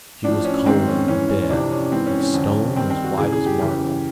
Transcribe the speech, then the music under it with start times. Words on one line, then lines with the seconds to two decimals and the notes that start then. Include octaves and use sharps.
She was cold and dead--of stone as white as marble.
0.24 A2 F3 D4
0.45 C#4
0.66 G#2 D#3 C4
0.88 C#4
1.08 G#2 E3 C#4
1.29 C#4
1.50 F2 C3 E3 D4
1.71 C#4
1.92 G#2 E3 C4
2.06 C#4
2.20 C#4
2.34 F2 D3 F3
2.76 G2 D#3 C4
2.90 C4
3.04 F#4
3.18 E2 C#3 E3 G#4
3.32 G#4
3.46 G4
3.60 F#2 C#3 E3